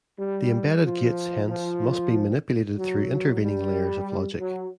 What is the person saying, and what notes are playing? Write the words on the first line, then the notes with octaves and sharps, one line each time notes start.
The embedded gates, hence, must be manipulated through intervening layers of logic.
G3
F3
F3
F#3
G3
F#3